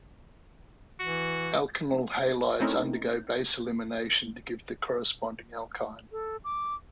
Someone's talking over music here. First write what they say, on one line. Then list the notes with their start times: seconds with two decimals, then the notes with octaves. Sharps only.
Alkenyl halides undergo base elimination to give the corresponding alkyne.
1.00 E3 F#4
2.60 A3 C4 C#4 D#4 E4 A#4
6.12 A4
6.44 D6